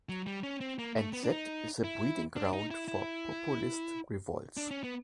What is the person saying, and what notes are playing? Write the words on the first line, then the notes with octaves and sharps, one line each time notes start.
And that is the breeding ground for populist revolts.
F#3
G3
C#4
C4
A#3
A3
B3
D4
D#4
E4
D4
D#4
E4
E4
D4
C#4
B3